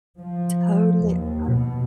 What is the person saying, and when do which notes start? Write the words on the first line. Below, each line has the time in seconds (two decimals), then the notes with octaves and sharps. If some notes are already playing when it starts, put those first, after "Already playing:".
Totally, I
0.20 F3
1.06 D#2
1.51 B2